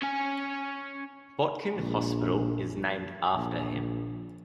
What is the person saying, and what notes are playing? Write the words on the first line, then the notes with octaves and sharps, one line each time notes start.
Botkin Hospital is named after him.
C#4 G#5
A#1
A#1